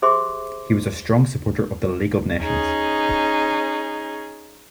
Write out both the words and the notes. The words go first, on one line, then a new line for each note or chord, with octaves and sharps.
He was a strong supporter of the League of Nations.
G4 G#4 C5 E5 C6 D6
C#4 D#4 G#4